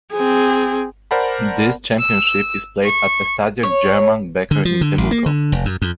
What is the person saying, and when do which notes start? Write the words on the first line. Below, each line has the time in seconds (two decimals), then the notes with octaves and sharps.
This championship is played at Estadio German Becker in Temuco.
0.13 C4 G#4
1.11 A#4 C5 D5 F#5 A5 B5
2.00 E6
2.85 C#6
3.63 C#5
4.51 D3
4.65 F3
4.81 D3
4.98 A1
5.11 A#3
5.26 D3
5.52 F1
5.65 F#2
5.82 F2